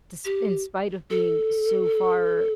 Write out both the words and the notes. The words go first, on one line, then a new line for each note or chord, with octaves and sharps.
desp in spite of being so far
G4
A4